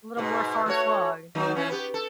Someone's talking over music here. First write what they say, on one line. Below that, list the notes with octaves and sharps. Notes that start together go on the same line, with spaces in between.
A little more far-flung, yeah.
G#2 B2
A3 F#4 C#5
D#3 F#3 D#4
E3 C#4
B3 G4
A4